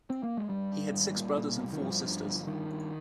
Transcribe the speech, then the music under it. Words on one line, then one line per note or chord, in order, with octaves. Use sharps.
He had six brothers and four sisters.
C4
A#3
G#3
G2 G3
G2
G#1
A#2
A#2
C2
D#3
G2 F3
G2
G1
G2 D#3
G2